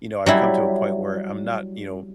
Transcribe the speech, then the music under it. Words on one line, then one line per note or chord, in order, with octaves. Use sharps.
you know, I've come to a point where I'm not, you know
F#3 G3 E4